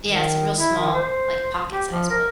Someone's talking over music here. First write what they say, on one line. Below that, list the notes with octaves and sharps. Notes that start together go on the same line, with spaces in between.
Yeah, it's a real small, like, pocket-sized book
D#3
E4
D#3
C5
G4
F3
A#4